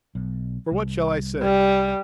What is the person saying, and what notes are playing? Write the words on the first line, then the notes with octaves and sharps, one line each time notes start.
For what shall I say?
B1
C2
G3